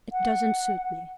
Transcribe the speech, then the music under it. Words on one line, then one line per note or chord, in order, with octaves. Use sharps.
It doesn't suit me.
F#5